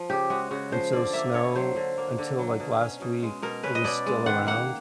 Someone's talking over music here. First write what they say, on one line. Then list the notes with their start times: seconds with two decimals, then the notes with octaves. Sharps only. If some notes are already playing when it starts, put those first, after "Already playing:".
and so snow, until like last week, it was still around,
Already playing: F3
0.10 C#3 G4
0.30 G#3 F#4
0.51 C#3 F#4
0.72 F3 C5
0.93 D3 D5
1.13 A#3 E5
1.34 D3 C#5
1.55 F#3 C5
1.76 D3
1.98 A#3
2.18 D3
2.39 F#3
2.60 B2
2.81 C#4
3.02 B2
3.23 G#3
3.42 B2 A#4
3.63 C#4 B4
3.75 D#5
3.84 B2 D5
4.06 G#3
4.26 D#3 F#5
4.47 A#3 F#5